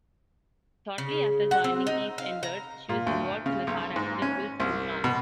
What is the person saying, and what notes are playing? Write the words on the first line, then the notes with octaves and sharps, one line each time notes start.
Shortly after joining EastEnders she was involved in a car accident whilst in France.
C#3
F#5
C4
D#4
F5
A#5
A#2
D2
C#3
B1
G#2
C#4
C2
B2